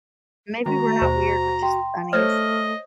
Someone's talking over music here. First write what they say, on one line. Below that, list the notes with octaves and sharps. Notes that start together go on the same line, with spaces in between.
Maybe we're not weird, we're just bunnies.
D#3 G#3 F#4 A#5
D#2 B2 C5
G5 C6
A3 C5 C#5 D#5 F6